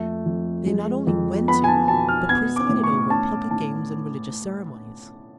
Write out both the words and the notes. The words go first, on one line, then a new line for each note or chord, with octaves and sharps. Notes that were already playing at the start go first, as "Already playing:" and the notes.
They not only went to, but presided over, public games and religious ceremonies.
Already playing: F2 A3
F2
G#3
F2
B3 B5
G#5
A5
B2 A5
F6
B3 G#6
D6
A2
C#6
C#4 A5
A2 A5